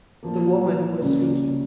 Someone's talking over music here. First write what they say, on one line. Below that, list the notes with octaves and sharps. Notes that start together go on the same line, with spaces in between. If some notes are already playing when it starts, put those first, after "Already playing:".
The woman was speaking.
A#2 F3 A#3
C#2 C#3 G3 A#3 C#4